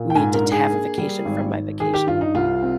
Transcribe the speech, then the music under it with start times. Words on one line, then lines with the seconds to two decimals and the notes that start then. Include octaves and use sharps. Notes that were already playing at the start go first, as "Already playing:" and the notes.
need to to have a vacation from my vacation.
Already playing: A#2
0.10 G5
0.15 G#2 G#5
0.33 A#4
0.42 D4
0.52 G#4
0.70 A#3
0.98 G3
1.25 G#1
1.53 G#1
1.80 D#3 G#4
1.94 G4
2.07 G2 F4
2.21 D#4
2.35 C2 F4
2.63 C4